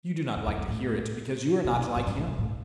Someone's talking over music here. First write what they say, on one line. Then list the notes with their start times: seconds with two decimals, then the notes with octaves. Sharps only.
You do not like to hear it because you are not like him.
0.36 F#2
0.46 E2
0.58 F#2
0.68 A2
1.65 C#3
1.75 B2
1.96 G2
2.06 G2
2.17 A2
2.28 B2
2.38 A2